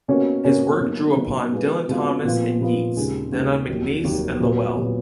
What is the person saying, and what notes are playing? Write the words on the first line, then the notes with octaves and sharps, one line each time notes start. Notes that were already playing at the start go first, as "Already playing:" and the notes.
His work drew upon Dylan Thomas and Yeats; then on MacNeice and Lowell.
B2 A#3 C#4 F#4 A#4
B2 A#3 C#4 F#4 A#4
B2 F#3 A#3 D#4
B2 F#3 A#3 D#4
B2 G#3 B3 F4
B2 G#3 B3 F4
A#2 F3 B3 F4
A#2 F3 B3 F4
D#2 C#3 G#3 D#4
D#2 C#3 G#3 D#4
F1 D#2 D#3 F#3
F1 D#2 D#3 F#3
A#2 F#3 B3
A#2 F#3 B3